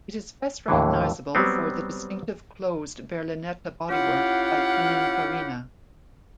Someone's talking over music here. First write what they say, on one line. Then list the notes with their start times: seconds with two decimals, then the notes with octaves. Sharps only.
It is best recognisable for the distinctive closed berlinetta bodywork by Pinin Farina.
0.68 D#2 A2 D3 E3
1.35 F#3 G3 B3 C4
3.90 C#4 E4 F4 G4 F5 F#5